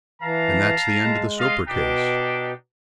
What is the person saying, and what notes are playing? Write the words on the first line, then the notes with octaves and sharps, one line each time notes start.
Then that's the end of the Soper case.
E3 F5 A5 A#5
G#3
F4 D#5 F5
B2 D4 D#4 G4